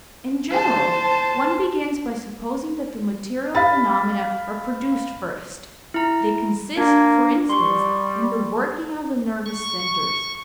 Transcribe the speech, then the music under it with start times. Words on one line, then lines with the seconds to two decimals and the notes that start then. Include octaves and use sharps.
In general, one begins by supposing that the material phenomena are produced first; they consist, for instance, in the working of the nervous centres.
0.51 C5 A5
3.55 F5 B5 A6
5.94 E4 A#5
6.77 A#3 D4
7.49 G3 C6 C#6
9.46 C#6